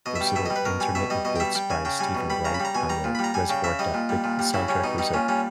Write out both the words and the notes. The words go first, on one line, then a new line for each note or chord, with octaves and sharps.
those little intermittent bits by Stephen Wright on the Reservoir Do e soundtrack where he's like,
B2 D#5
E5
G3
G5
B2 E5
D#5
G3
B4
B2 A#4
G3 G#5
B2 E5
G3 D#5
B2 D#5
G5
G3 E5
G3 G5
C#3 G#5
C#3 G5
G3 G#5
B2
G3 B5
C#3 A#5
B5
G3
A#5
B2 G#5
G3 A#5
A#2
B5
G3 A#5
G3 G#5
C#3 G5
C#3 E5
G3 D#5
A#2
G3
A#2
G3
C#3 E4
G3 C#4
B2 D#4
G3 D#4
A#2 C#4
G3 C#4